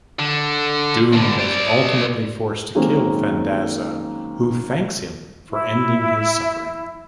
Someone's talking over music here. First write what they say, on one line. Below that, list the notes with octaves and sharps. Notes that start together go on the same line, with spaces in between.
Doom is ultimately forced to kill Thandaza, who thanks him for ending his suffering.
D3
G2 D3
C5 D5
D#3 F#3 G#3 A#3 C4 C#4
E4